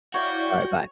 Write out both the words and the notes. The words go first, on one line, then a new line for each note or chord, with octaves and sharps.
Alright, bye.
E4 F#4 C#5 D5 F5 G5